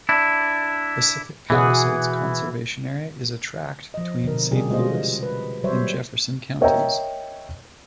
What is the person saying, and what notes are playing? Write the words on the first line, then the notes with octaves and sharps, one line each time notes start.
Pacific Palisades Conservation Area is a tract between Saint Louis and Jefferson counties.
D4 E4
B2 E3 G#4 F#5
F3 D#5
B2 D3 A4 A#4
C3 G3 C#4 F4 G4 G#4
G#3 F4 C5 D#5
B4
F#3 G3 C5 C#5 E5
A#4 C#5 D#5 E5 G5 A#5